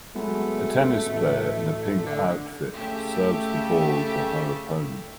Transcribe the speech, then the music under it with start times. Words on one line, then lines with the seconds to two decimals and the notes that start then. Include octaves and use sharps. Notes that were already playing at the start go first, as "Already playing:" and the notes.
A tennis player in a pink outfit serves the ball to her opponent.
0.15 F#3 G#3 A3 B3
1.06 A1 F#4
2.06 D3
2.74 C#3 A3 G4 E5